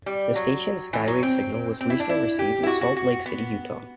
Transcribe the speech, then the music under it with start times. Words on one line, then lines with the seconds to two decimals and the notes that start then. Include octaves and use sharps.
The station's skywave signal was recently received in Salt Lake City, Utah.
0.06 G3
0.36 F#3
0.93 E3
1.08 F#3
1.23 C4
1.81 C4
1.90 E4
2.00 D4
2.09 E4
2.39 G4
2.63 E4
2.67 F#4
2.81 F#4
2.96 F#4
3.26 B3